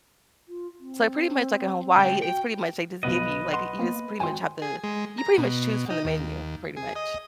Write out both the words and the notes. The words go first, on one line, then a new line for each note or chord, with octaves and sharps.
so they pretty much like, in Hawaii, it's pretty much they just give you, like, you just pretty much have the you pretty much choose from the menu, pretty much.
F4
C4
C#2 G5
F#4 G5
B1 B2 B3 B4 D#5
F#5 C6
A#3 B3
G#1 G5 G#5 C6
G#4
G#3
A#5
B2
D#4
D#2
G#4
D#5